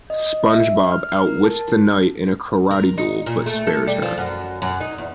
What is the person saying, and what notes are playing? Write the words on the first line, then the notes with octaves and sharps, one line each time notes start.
SpongeBob outwits the knight in a karate duel but spares her.
D#5
E5
F6
F6
A#4
A5
A#4
D#4
A#2
A3
A4
G3
F3
F#2
F#2
D#4
E2